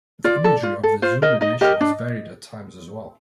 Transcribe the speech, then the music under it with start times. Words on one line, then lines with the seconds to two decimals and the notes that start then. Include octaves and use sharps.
The imagery of the Zulu Nation has varied at times as well.
0.24 F4 D5
0.44 A4
0.63 F4
0.83 A4
1.02 F4 C5
1.22 A#4 D#5
1.41 D#4 D#5
1.61 G4 A#4 D#5
1.81 D4